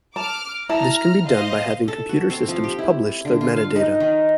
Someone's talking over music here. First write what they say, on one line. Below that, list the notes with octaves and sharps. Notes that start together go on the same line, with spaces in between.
This can be done by having computer systems publish their metadata.
A5 D6 F6
E4 A5 A#5 F6
C5 D#5 F5
A4
F#4
C4
F3
G4
E4
D3
F4
F5
D#4
D#3